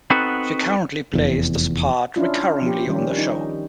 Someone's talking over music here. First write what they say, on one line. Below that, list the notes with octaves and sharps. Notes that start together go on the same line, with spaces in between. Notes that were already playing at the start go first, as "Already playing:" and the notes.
She currently plays this part recurringly on the show.
B3 C4 D#4 F#4 A4 B4
F1 E2
C#4 D4 E4 F4
F3 G4
D#3 G3 C#4
D#4